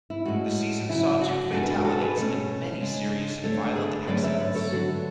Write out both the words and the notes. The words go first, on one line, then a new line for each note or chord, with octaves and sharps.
The season saw two fatalities and many serious and violent accidents.
E4
A2 G#3 C#4 F#4
C#3 F#3 C#4 E4
F#4
B2 G#3 D4 F#4 A4
B4
F#4 A4
F#4 A4
G#4 B4
B2 A3 C#4 A4 C#5
C#3 G#3 D4
D3 A3 D4 A4 C#5
G#4 B4
D3 F#3 A3 C#4 B4 D5
C#5 E5
B4 D5
A4 C#5
D3 F#3 B3 D4 F#4 A4